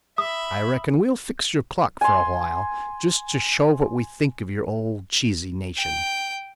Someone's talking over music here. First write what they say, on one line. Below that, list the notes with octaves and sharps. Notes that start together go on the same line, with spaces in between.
I reckon we'll fix your clock for a while just to show what we think of your old cheesy nation.
E5 B5 D#6
G#5 C6
G5